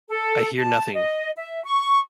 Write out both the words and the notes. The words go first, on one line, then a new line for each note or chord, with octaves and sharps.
I hear nothing!
A4
A5
D#5
E5
C#6